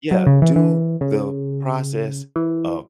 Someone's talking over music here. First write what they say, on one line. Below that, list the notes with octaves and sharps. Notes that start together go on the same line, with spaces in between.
yeah, do the process of
F#3
C#3
E3
E3
C#3
E3